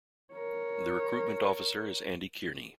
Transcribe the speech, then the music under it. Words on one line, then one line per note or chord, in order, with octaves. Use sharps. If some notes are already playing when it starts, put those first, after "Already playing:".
The Recruitment Officer is Andy Kearney.
A#4 C#5